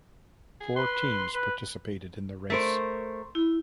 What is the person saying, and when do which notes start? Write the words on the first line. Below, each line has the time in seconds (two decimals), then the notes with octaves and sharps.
Four teams participated in the race.
0.60 G#4
0.76 B4 C6
1.34 B4
2.50 A3 A#4 C5
3.35 E4